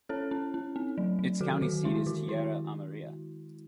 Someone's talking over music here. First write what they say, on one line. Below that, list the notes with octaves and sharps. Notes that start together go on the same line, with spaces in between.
Its county seat is Tierra Amarilla.
C#4 A4 C#5
C#4
C#4
C4
F#3
F#3
D#3 F#4 A4
D#3 F#4
G#3 E4
D#3 F#4
D#3 E4